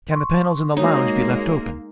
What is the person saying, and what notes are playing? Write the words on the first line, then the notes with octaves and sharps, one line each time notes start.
"Can the panels in the lounge be left open?"
C6 C#6
G#3 A#3 D#4 F#4 C#5